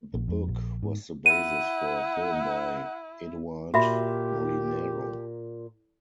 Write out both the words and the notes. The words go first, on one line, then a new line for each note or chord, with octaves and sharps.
The book was the basis for a film by Edouard Molinaro.
A#1
F2
A#1
G#2
E4 F#5 D#7
A#2 F#4 G4 E5 B5